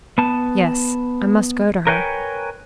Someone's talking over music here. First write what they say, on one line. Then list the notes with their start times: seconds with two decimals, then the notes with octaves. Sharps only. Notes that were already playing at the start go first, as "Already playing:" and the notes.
"Yes, I must go to her."
0.18 B3 A5
1.87 A#4 B4 C#5 G5 G#5